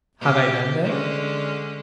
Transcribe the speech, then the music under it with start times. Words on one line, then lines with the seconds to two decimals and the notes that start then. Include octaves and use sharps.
Have I done that?
0.20 B2 G4
0.84 D3 G#3 C#4